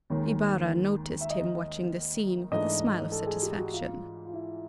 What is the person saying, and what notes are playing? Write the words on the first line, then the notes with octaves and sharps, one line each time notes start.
Ibarra noticed him watching the scene with a smile of satisfaction.
D#2 D#3 G#3 C#5
E5
D#5
G#2 E3 A3 D4 D#5
A4
G#4
G4
F#4
F4
F4
E4